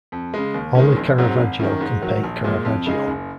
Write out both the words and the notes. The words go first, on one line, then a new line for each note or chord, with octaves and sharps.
Only Caravaggio can paint Caravaggio.
F2
C#3 G#3
D#2
D#3 G#3 C#4
A#1
G#2 F#3 C4
G#1
F#2 D#3
G#2
D#3 F#3
A#1
A#2 G#3
F2
C#3 G#3 D#4 G#4
F#1